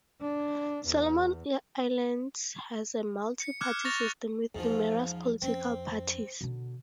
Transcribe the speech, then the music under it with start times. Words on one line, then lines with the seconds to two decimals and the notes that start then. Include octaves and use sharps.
Solomon Islands has a multi-party system with numerous political parties.
0.21 D4
0.86 E2
3.40 C#7
3.61 D6 F6 F#6 G#6 C#7
3.85 C#6 A6 A#6 F7
4.55 E2 G#2 F3
5.42 F2 C4 C#4
6.41 B2 D3